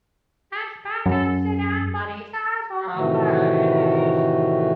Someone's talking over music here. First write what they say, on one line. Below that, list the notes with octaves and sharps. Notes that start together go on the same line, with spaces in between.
Hatchback and sedan body styles were offered.
F#2
A2 C3 D#3 E3 A3 F#4